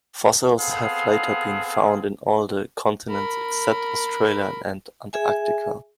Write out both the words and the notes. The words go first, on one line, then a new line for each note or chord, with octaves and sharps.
Fossils have later been found in all continents except Australia and Antarctica.
B3 C4 G#4 A4 F5
A#4 B5
G#4 E5 G#5